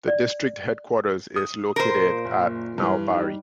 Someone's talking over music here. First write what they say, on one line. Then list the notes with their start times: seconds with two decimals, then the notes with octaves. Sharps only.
The district headquarters is located at Nalbari.
0.07 D5
1.36 D#6
1.76 A#2 A#4 C5
2.25 F#1
2.78 G2 E3
3.08 G3 D#4